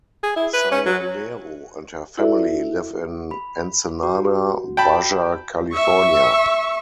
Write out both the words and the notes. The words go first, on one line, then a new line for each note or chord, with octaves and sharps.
Sayalero and her family live in Ensenada, Baja California.
G#4
E4
B4
C#4
F#3
E4 F#4 A4 B4 D5 E5
B5
F#4
G5 A5 B5
E5 C#6